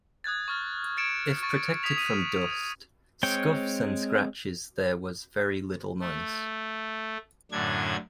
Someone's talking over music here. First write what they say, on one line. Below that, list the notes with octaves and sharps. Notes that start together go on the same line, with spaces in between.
If protected from dust, scuffs and scratches there was very little noise.
D#6 F#6 G#6 A6
C#6 F6 A6
G#6 A6 C#7 D7 E7
C#6 A6
C#6 D#6 G#6 B6 F7
D#6 D#7
G#3 C4 C#5 G5
A3
F#2 A2 D3 D4 G#6